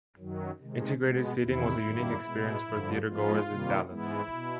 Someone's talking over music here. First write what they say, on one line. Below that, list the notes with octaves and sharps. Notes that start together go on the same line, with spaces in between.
Integrated seating was a unique experience for theatergoers in Dallas.
F#2 D#3 F#3
C3 D#3 G#3
B2 G#3 B3
E2 C3 D#3 E4
F#2 D#3 G3 A#3
B2 G#3 B3
G2 D3 F3
G#2 F3 G#3 B3 F4
C3 D#3 G3 A#3
G#2 E3 G#3 B3 E4
B2